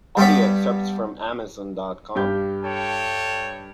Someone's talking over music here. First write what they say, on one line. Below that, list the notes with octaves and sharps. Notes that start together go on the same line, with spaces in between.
Audio excerpts from Amazon dot com.
G2 G3 B3 B5
G2 G4 G6
A4 C#5 G5